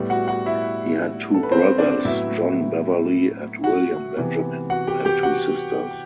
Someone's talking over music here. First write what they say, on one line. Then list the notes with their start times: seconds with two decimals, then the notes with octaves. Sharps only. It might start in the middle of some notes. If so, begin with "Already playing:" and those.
He had two brothers, John Beverley and William Benjamin, and two sisters.
Already playing: A2 G3 B3
0.10 F#4 F#5
0.28 F#4 F#5
0.46 E4 E5
1.34 A4
1.43 B4
1.52 C4 C5
1.78 D4 D5
2.05 A2 F#3 B3 E4 E5
3.64 F#4 F#5
4.17 C3 E3 B3
4.70 F#4 F#5
4.87 G4 G5
5.05 G4 G5
5.23 F#4 F#5